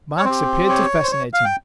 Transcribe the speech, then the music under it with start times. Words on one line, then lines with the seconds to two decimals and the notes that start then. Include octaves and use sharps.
Mike's appeared to fascinate him.
0.18 C#5
0.25 C4 G4 C5
0.69 C#5
1.03 C5
1.12 C#5
1.34 F5
1.45 G5